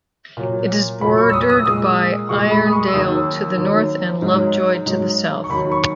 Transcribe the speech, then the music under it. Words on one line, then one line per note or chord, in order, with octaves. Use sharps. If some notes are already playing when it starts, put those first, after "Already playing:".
It is bordered by Irondale to the north and Lovejoy to the south.
A#2 F#3
A#2 F#3 B5
C#6
E6
D#6
D#6
A#2 G#3 D#6
A#2 G#3 C#6
B5
D#6
C#6
E6
D#2 D#3 F#3 D#6
D#2 D#3 F#3
G#2 F#3
G#2 F#3
C#6
D#2 D#3 F#3 B5
C#6